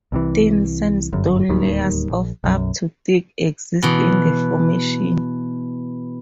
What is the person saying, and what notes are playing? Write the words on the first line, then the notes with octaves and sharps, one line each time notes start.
Thin sandstone layers of up to thick exist in the formation.
C2 C3 E3
G1 F#2
D1 D#2 D#3 G3
A#1
B1 F#2
B2 E3